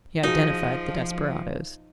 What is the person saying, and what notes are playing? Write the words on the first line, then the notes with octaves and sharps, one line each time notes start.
He identified the desperadoes.
F3 D#4 F#4 G#4